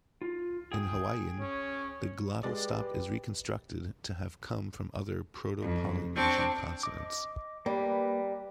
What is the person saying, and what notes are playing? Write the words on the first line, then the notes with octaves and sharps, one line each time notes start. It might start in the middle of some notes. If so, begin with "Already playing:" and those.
In Hawaiian, the glottal stop is reconstructed to have come from other Proto-Polynesian consonants.
F4
G#4 G5 D#6
C#4
G#3 G4 B4 D5
F2
C4 D4 C#6
D#5 D6
G3 A#3 B4